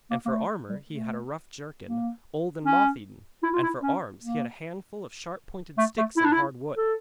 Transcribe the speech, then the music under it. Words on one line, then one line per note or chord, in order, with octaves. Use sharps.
And for armour he had a rough jerkin, old and moth-eaten, and for arms he had a handful of sharp-pointed sticks of hard wood.
A#3
A#3
A3
G3
A3
A#3
C#4
E4
F4
E4
C#4
A#3
A3
A3
E4
D4
E4
A4